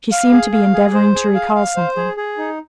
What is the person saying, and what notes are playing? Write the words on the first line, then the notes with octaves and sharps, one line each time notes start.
She seemed to be endeavoring to recall something.
F5
G#4
F5
G#4
C5
G#4
F5
F5
C5
G#4
G#4
D#4